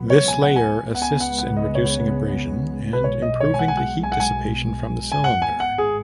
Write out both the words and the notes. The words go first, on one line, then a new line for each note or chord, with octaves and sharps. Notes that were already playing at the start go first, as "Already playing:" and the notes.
This layer assists in reducing abrasion and improving the heat dissipation from the cylinder.
Already playing: C#2 B2 F#3 B3
C#5
G#5
F#5
G#5
C#2 C#3 G#3 B3
F#5
G#5
F#5
F#5
D#5
C#5
B4
B1 B2 G#3 C#5
D#5
C#5
G#5
F#5
G#5
F#5
G#5
F#5
G#5
G#5
G#1 G#2 G#3 B3 F#5
G#5
F#5
G#4